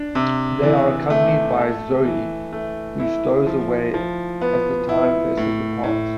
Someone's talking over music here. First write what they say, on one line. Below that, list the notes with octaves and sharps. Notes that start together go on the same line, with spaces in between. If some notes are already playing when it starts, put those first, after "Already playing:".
They are accompanied by Zoe, who stows away as the time vessel departs.
Already playing: D4
C3
E3
A3
A4
E3
A3
E4
F3
F3
B3
E4
A2
A2